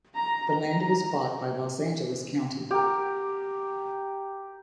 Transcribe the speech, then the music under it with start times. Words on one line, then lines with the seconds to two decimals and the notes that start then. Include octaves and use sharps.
The land was bought by Los Angeles County.
0.15 A#5
0.50 A#5
2.71 G4 A#4